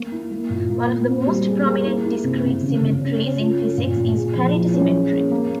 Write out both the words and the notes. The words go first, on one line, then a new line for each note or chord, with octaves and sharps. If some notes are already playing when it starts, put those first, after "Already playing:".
One of the most prominent discrete symmetries in physics is parity symmetry.
Already playing: A#3
E4
A#3
A#2
A#3
A#3
C4
G3
G#4
A#3
E4
E4
C3
C3
C#3
C#3
C#4
C#4
F4
F4
A#2
A#2
G#4
F3
E4
C#4
G#4
A#3
A#3